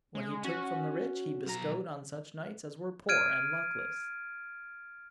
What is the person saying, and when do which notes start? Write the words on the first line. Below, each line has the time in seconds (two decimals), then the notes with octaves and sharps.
What he took from the rich he bestowed on such knights as were poor and luckless.
0.15 G#3
0.44 C#4 F#4
1.46 B1 A#5
3.09 F6 G#6 D7 D#7